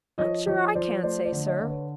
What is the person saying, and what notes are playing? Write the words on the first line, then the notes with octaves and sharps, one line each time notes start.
'I'm sure I can't say, sir.
F3 C#5 D#5
F3 C#5 D#5
F3 C5 D5
A3 C5 D5
C5 D5
D3
C#5 D#5
D3
B4 C#5